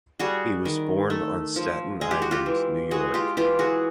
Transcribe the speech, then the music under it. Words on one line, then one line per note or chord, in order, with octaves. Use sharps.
He was born on Staten Island, New York.
G3 F#4 G#4
D#3
A3
F3
G#3 G#4
G4
F#4
F4 G4
E3
G#3 F#4 G#4
F4 G4
E3 F4 G4
F#4 G#4